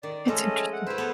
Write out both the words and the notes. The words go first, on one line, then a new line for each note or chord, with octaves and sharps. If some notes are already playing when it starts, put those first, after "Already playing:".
That's interesting.
D#3 D5
F3 G#3 A3 C#4 A4 D#5
F#5
A3 E4 B4 C5 E6
B3 A4